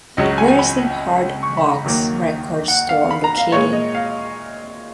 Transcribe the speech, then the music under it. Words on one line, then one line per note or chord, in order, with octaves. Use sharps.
Where is the "Hardwax" record store located?
C#2 C#3 F#3 D#5
G#5
G#5
B5
C#6
B5
A#5
D#2 D#3 F#3 A#3
F#5
F5
B5
A#5
F5
A#2 G#3 C#5
D#5
F5